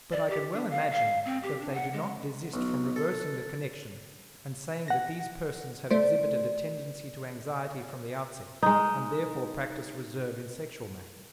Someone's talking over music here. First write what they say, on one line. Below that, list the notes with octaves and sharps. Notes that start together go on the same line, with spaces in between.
But I can well imagine that they do not desist from reversing the connection and saying that these persons have exhibited a tendency to anxiety from the outset and therefore practice reserve in sexual matters.
D5
G4
D4
F5
F5
C4
G4
D4
F#5
G#3
B1
A4
F#5 A#6
A3 C5 D5
G#3 D#4